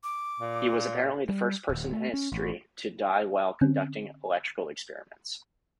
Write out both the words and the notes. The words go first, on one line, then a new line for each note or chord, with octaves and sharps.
He was apparently the first person in history to die while conducting electrical experiments.
D6
A#2
G3
D1
A3
C#4
A1
D3 C4 C#4